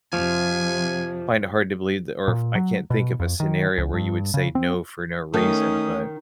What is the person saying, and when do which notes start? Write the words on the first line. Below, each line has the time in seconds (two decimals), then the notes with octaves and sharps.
find it hard to believe that or if I can't think of a scenario where you would say no for no reason, but
0.13 F2 C3 F3 G#5
2.28 A#2
2.55 F#3
2.90 B2
3.20 F2
3.40 D#3
3.78 C#2
3.94 G2
4.34 C#3
4.55 C4
5.34 D#3 A3 C#4 D#4 D#6